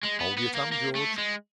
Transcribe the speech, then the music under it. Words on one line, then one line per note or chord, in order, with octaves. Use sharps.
Hold your tongue, George!
G#3
B3
B3
A#3
A#3
A3
G#3